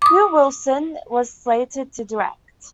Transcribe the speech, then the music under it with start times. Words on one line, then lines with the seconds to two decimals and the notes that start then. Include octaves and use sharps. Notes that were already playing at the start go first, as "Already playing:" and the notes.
Hugh Wilson was slated to direct.
0.02 D6 D#6